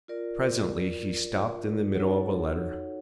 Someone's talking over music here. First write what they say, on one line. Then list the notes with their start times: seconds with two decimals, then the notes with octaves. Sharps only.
Presently he stopped in the middle of a letter.
0.08 F4 A#4 D5
1.94 D#4 F#4 A4 C#5 F#5